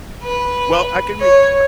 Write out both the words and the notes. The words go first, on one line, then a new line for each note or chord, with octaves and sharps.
Well, I can re uh
B4
C#5